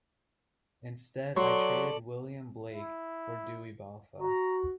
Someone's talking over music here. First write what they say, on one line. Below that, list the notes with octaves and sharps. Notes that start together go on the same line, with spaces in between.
Instead I traded William Blake for Dewey Balfa.
F#3 A4 D5 C6 C#6
E4
F#4 A#5